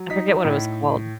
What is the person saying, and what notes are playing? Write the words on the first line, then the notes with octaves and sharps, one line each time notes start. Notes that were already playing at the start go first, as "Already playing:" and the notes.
I forget what it was called.
Already playing: F#3
D#4 B6
A2